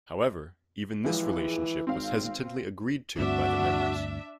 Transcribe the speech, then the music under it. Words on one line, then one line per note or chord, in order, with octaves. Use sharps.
However, even this relationship was hesitantly agreed to by the members.
A1 E3 F3 G#3
G#1 C4 F5
D2 G2 C4 D4 F#4 E5